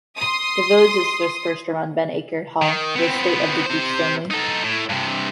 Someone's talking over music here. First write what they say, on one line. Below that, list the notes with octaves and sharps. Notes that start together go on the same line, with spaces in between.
The village is dispersed around Benacre Hall, the estate of the Gooch family.
C6 D#6
D#3
B3 C4
C3 C5
D#4 A4
A2
G2 C3